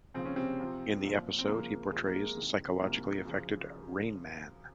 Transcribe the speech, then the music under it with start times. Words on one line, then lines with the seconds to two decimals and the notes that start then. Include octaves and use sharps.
In the episode, he portrays the psychologically affected "Rainman".
0.14 D#2 C#3 F3 C4
0.25 C#4
0.36 C3 C4
0.60 F#2 F3
1.04 C2 A#2 F3
1.39 C4
1.47 C#2 C#3 F3 A#3
1.92 F2 C3 F3 G#3
2.07 A#3
2.22 G#3
2.36 C2 C3 D#3
2.80 C2 C3 F3 A#3
3.25 F#2 C#3 F3